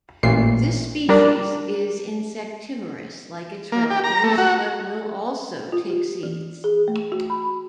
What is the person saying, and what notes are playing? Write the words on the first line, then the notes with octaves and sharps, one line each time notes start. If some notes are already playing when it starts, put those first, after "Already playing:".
This species is insectivorous, like its relatives, but will also take seeds.
A1 A#2 C7
G3 D4 A#4
A#3
G4
A#5
A3
F#4
F4
G4
E3
G#4
A3
F#4
B5